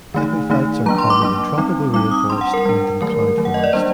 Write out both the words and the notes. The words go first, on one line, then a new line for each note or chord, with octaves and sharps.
Epiphytes are common in tropical rain forest and in cloud forest.
D#3 A3 D#4
D#3 A3 D#4
F#3 A#3 D4 A#5
C6
D6
F#3 A#3 D4 D6
G3 C4 D#4
G3 C4 D#4 D6
D#6
G3 D4 C6
F#5
A#4
G3 D4
D#3 F#3 A3 A#4
D#3 F#3 A3
F#5
D#5
D5
G3 A#3 D4 C5